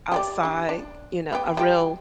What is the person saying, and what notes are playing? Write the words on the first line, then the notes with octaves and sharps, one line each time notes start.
outside, you know, a real
G4 G#4 D5
D4 G4
D4
B3 G4
G3 F4 G5